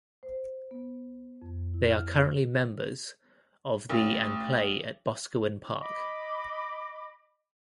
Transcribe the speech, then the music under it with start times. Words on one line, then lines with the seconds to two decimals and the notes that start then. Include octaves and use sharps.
They are currently members of the and play at Boscawen Park.
0.23 C5
0.71 B3
1.42 F2
1.74 E4
1.88 F6
3.89 A1
5.80 D#5 B5 D6